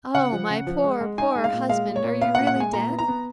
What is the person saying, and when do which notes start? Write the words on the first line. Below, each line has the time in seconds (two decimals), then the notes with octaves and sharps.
'Oh, my poor, poor husband, are you really dead?
0.14 C#3 F#5
0.32 F3
0.50 C#3
0.67 F3
0.84 G#3
1.01 G#3
1.18 D#4 G#5
1.36 G#3
1.44 F5
1.53 A#2
1.69 G#3 F5
1.88 A#2
1.96 C#5
2.04 A#2
2.21 B3 F5
2.35 F#5
2.38 A#2
2.47 F#5
2.56 G#3 G#5
2.73 A#2 A#5
2.90 B3
2.99 A#5
3.08 B3